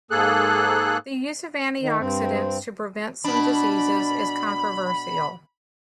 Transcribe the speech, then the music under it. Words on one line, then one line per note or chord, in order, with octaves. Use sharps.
The use of antioxidants to prevent some diseases is controversial.
G#2 A#3 G#4 A4 F#6
D#3
G2 C4
B2 D4 B5